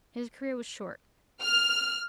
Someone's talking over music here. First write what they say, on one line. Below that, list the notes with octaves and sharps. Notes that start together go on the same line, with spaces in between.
His career was short.
F6